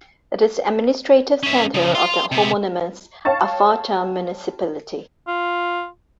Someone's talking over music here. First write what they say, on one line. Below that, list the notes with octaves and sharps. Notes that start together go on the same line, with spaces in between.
It is the administrative centre of the homonymous Alfatar Municipality.
C#4 E5
C#3 F3
F5 C6
C3 B3
C#5 F5 G5 A5 C#6 A6
F4